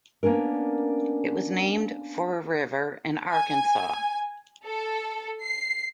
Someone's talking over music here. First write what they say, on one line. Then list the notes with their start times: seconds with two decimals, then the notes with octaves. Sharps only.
It was named for a river in Arkansas.
0.23 A#3 B3 C#4 D4 A#4
3.32 G#5
4.65 A4
5.42 C7